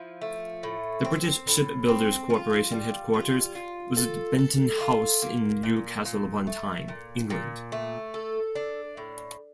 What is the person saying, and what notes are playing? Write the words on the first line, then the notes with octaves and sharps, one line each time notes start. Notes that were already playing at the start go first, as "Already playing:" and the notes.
The British Shipbuilders Corporation headquarters was at Benton House in Newcastle upon Tyne, England.
Already playing: F3 E4
A3
A2
C4
A2
C4
F4
G3
F4
F4
A4
A4
F4
A#3
A#2
A#2
A3
A#2
A#2
A3
A4
D4
A2